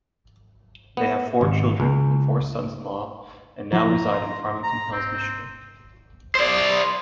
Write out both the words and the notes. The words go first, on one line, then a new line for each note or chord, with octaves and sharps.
They have four children and four sons-in-law and now reside in Farmington Hills, Michigan.
B3
G#1
C#2
F3 E4 A#5
C6
A#5
C4
C5 D5